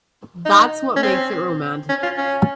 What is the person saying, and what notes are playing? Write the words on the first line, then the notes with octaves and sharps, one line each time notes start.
That's what makes it romantic.
D#4
C#4
C4
C#4
F4
C#4